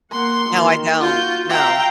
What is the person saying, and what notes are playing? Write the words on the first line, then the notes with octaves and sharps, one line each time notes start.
No, I don't, no,
A#3 F#5 C6
D#3 A#3 F#4
F4 F#4 G6
E5 F5 G5 A#5